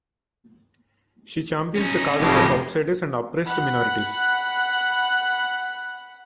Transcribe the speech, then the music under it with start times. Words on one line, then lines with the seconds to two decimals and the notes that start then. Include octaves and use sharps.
She champions the causes of outsiders and oppressed minorities.
1.75 C#4 D#4
2.19 F1 A2 C#3 F3 G#3 G4
3.44 F#5 B5 F#6